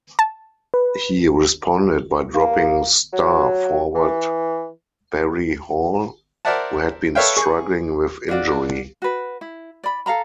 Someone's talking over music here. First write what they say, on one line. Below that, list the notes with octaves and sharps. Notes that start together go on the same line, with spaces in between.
He responded by dropping star forward Barry Hall, who had been struggling with injury.
A5
B4
A#3
F#3
E3
A#4 C5 D5 E5 F#5 A5
A4 B4 C#5 E5 F5 G5
G#4 C#6
D4 F4 F#4 D5
F#4 B4
E4
D5 B5
A4 F5 A#5 B5